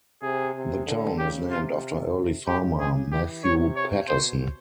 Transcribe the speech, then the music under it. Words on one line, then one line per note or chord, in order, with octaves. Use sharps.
The town is named after early farmer Matthew Paterson.
C3 G#4
C3
D3
C#3 G4
C3 F4
C#3 G4
G#4
E3 G4
C3 C#5
C#5
B2 C5